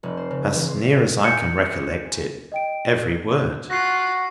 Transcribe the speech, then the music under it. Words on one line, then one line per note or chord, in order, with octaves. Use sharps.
"As near as I can recollect it, every word."
F1
C5
C#3
E3
C6
G#5 G6 C#7
D#5 G5 D7
F4 F#4 F#6 A#6 C7